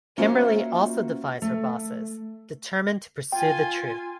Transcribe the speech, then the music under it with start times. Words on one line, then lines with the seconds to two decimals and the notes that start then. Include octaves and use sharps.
Kimberly also defies her bosses, determined to pursue the truth.
0.18 A#3 C#4 F4 F#4 C5 E5
1.42 A3
3.32 F4 G5 G#5